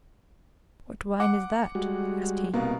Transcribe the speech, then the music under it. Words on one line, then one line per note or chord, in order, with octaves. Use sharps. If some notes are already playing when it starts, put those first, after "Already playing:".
"What wine is that?" asked he.
F#5 D6
G3 G#3 F#4
C2 B2 A#3